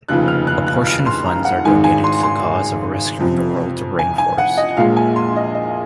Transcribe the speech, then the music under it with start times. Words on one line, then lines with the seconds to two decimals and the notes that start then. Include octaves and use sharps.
A portion of funds are donated to the cause of rescuing the world's rainforests.
0.08 F1 D#2 C#3 F3 F#6
0.28 F6
0.47 F#6
0.67 F#6
0.87 F6
1.06 C6
1.26 A#5
1.45 F#5
1.65 G#1 G#2 D#3 G#3 G#5
1.84 G#5
2.04 C6
2.23 C6
3.20 F2 C3 F3
3.99 G#5
4.18 G#5
4.38 F#5
4.57 D#5
4.77 A#1 A#2 F3 G#3 F5
4.97 G#5
5.16 C6
5.36 D#5
5.55 D#5